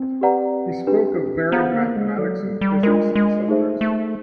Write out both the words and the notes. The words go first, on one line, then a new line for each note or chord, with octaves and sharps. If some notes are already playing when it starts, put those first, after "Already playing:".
He spoke of varied mathematics and physics subjects.
Already playing: C4
G4 B4 D5 F#5 A#5
D4 G4 B4
B3 G#4 C5 F5 A#5
A#3
G#3
F#3 F#4 A4 D5
G3
G3
G#3 D4 F4 A#4
G#3
A3 D#4 G#4 C5 E5
A3